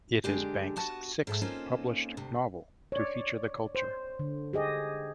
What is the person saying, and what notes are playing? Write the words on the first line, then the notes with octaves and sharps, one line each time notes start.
It is Banks' sixth published novel to feature the Culture.
D3 G#3 G4
B3 F#4 A5
G#2 A4 E5
A#3 C4 C#4 D#4 F4 A4
D2 C3
C#5 D5
C5
D3
G4 G#4 D#5